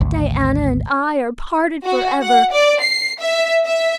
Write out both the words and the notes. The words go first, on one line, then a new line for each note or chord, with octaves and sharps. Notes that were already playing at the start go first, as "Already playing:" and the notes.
Diana and I are parted forever.
G#1 D2
F#4
F#5
D5
C7
E5
E5